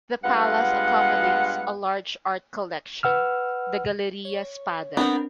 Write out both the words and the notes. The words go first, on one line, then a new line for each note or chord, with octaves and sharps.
The palace accommodates a large art collection, the Galleria Spada.
G2 G#3 B3 F4 B4 F#5
B4 F#5 E6 F6
C#5
B3 C4 D4 A#4 F#5